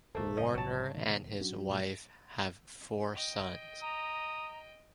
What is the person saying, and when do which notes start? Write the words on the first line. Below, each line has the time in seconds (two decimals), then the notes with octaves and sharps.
Warner and his wife have four sons.
0.15 E1 C#2 A#2 A3 A#3 A4 C5 A5
0.37 G#2 C#3 F3 G3 D#5
0.54 A#1 F3 F#3 A5
0.94 B2 D#3
1.41 F#3 C#4 D4 F#4
1.68 G2 A#2 A3
3.14 D#5 G5
3.82 A#5 D#6